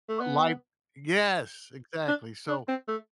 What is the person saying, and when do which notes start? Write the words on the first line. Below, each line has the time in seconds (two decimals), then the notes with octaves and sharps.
l life Yes, exactly. So,
0.09 A3
0.21 B3
2.08 D4
2.48 D4
2.68 C4
2.88 A3